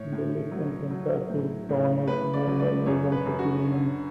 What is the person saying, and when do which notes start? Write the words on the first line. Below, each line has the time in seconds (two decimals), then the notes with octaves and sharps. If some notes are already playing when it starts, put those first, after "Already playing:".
The list encompasses the honours won by Melbourne City Women.
Already playing: A2 C#5
0.12 A2
0.52 F#3
0.90 F#3
1.30 A2
1.69 A2
2.07 A2 B4
2.34 D5
2.47 F#3
2.59 D5
2.86 F#2 C#5
3.12 B4
3.26 F#2
3.39 F#4
3.65 D3